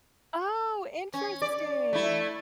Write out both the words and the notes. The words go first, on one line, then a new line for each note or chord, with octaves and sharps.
Oh, interesting!
C#4
D5
A3 E4